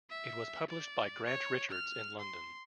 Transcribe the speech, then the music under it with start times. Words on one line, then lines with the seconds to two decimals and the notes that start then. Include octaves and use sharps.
It was published by Grant Richards in London.
0.10 E5
0.69 D5
1.26 C#5
1.71 F6
2.20 C6